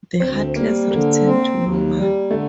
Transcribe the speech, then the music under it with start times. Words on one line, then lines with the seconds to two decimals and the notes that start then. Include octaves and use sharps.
The Heartless return to normal.
0.20 D2 C4
0.55 G3 A#3
0.91 D3 A#3
1.26 C4
1.61 D#2
1.96 G3
2.30 D3 A3